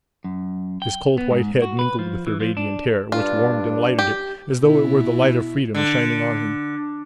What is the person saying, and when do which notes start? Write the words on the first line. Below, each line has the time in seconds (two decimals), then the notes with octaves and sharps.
His cold white head mingled with her radiant hair, which warmed and lighted it as though it were the light of Freedom shining on him.
0.24 F#2
0.82 G5
1.18 B3
1.31 G#2
1.62 F#4
1.79 B4
1.99 F3
2.27 E3
2.40 F3
2.57 D4
3.12 G2 D4 F4
3.99 G4
4.60 B2 E4
5.75 D3